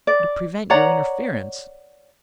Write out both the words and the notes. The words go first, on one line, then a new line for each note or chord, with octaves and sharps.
"To prevent your interference."
D5
C#5 D5 F#5 A#5